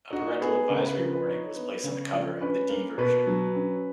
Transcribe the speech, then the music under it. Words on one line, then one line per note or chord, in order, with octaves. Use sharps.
A Parental Advisory warning was placed on the cover of the D Version.
D#4 F#4
B3 G#4
C#3 A#4
B4
F3 A#4
B4
D#4 C#5
B3
C#3
F3
C#4 B4
A#3 A#4
B2 B4
F#3
C#4